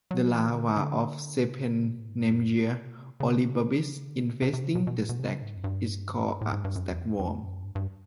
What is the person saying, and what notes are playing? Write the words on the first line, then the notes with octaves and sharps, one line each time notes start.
The larva of "Cephenemyia auribarbis", infesting the stag, is called a stagworm.
F#3
E3
C#3
D3
D3
C3
C#3
B2
A2
G#2
G2
F#2
A2
A#2
B2
C3
B2
C3
C#3
D3
C#3
C3
C3
C3
C#3
B2
B2
A#2
B2
C3
C#3
G#2
F#2
G2
A2
G#2
G2
F#2
E2
F2
F2
F#2
G2
G2